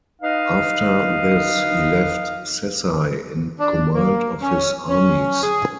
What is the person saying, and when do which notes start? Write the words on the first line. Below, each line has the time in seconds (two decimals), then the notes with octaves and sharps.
After this, he left Sessai in command of his armies.
0.21 D#4 B4 D#5 F5
3.59 D4
3.93 A#3
4.41 C#4
4.89 C#4
5.43 G#4